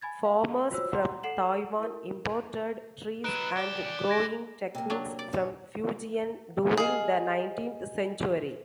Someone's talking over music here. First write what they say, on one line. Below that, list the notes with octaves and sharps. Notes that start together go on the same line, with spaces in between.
Farmers from Taiwan imported trees and growing techniques from Fujian during the nineteenth century.
G#5 B5 G#6 A6
F5
F4 F#4 C5 C#5 E6
F#5 A#5 C6
A4 F#5 C7 E7 F#7
E4 A#4
F#3 D#4 B4 F#6 D7 E7
C#2 G4 D5
G#6 A#6 D7
C3 A#3
F#3 D4
D5
B2 E3 C#5
G4 G#4 D#5 F5 G#5